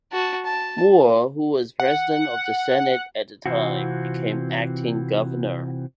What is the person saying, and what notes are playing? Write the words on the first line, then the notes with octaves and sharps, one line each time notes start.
Moore, who was president of the Senate at the time, became acting governor.
F#4 A5
A5
F#5
C3 E3 C4 F4 F#4